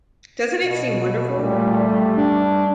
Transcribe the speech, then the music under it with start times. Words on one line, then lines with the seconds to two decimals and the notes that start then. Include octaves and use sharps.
Doesn’t it seem wonderful?
0.65 B2
1.35 A#2 G3 A3
2.17 D4